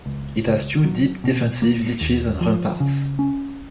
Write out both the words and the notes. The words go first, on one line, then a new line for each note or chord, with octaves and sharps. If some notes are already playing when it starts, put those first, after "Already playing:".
It has two deep defensive ditches and ramparts.
C#2
C#2
F#3
B2
A#3
D#2
F3
C#3
C#4